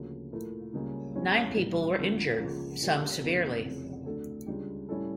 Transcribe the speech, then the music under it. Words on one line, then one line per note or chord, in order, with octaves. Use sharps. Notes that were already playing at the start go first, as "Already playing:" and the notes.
Nine people were injured, some severely.
Already playing: D2 C#3 F3 A#3
A#2 A3 E4 A#4
C#2 C#3 G3 A#3 C#4
E2 E3 G3 C#4 E4
A#1 A2 G3
F2 D3 F3
C#2 C#3 F3
A#2 F3 C#4 G4 A#4
F1 E2 D3 A3 E4
F1 F2 C#3 E3
D2 D3 A3 D4 A4
C#2 C#3 G3 D4 G4
A2 G3 C#4 E4 A4